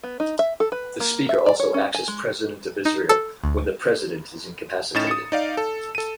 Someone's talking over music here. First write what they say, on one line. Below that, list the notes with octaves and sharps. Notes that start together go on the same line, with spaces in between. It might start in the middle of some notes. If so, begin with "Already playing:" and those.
The Speaker also acts as President of Israel when the President is incapacitated.
B3
D#4
E5
A4
B4
A#3
E5
D5
C#5
C#4
G#5
G#3
D#4
A4
D2
A2 C#4 D#4 A6 E7
D#6 C#7
D#4 D5 F5
A4
A4 D#7